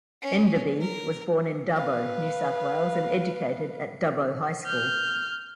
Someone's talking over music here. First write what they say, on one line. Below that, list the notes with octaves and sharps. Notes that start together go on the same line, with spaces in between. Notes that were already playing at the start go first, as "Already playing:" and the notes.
Enderby was born in Dubbo, New South Wales and educated at Dubbo High School.
C#4
A#4
B4 F5
F6 G6